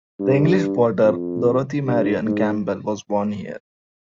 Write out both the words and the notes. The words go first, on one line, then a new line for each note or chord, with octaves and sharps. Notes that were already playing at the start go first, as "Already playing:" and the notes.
The English potter, Dorothy Marion Campbell was born here.
G2
F2
G2
G#2